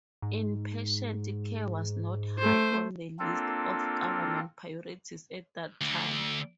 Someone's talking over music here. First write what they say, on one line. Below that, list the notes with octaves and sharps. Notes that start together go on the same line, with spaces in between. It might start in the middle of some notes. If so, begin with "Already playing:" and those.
Inpatient care was not high on the list of government priorities at that time.
G#2
A3 C5
A#3 C4 D4 F4 A4
D2 D3